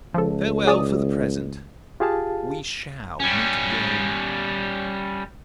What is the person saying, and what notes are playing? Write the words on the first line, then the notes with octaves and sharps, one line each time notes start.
Farewell for the present; we shall meet again.'
C#2 F3 A4
G#4 D5 D#6
F4 G4 G#4 F5 A5
G3 C#4